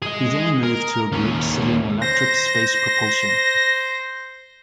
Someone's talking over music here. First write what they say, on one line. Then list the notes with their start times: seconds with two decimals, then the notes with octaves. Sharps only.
He then moved to a group studying electric space propulsion.
0.02 G#4 D#5
0.63 A#4
1.12 D#2 C#4
2.02 C5 A#6